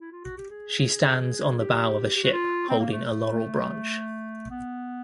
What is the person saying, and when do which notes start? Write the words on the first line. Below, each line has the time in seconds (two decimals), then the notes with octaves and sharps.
She stands on the bow of a ship holding a laurel branch.
0.00 E4
0.12 F4
0.24 F#4
0.37 G4
0.51 G#4
1.59 G4
2.16 G4
2.24 F#4
2.32 F4
2.69 C4
2.80 A#3
2.92 A3
3.05 A3
4.50 B3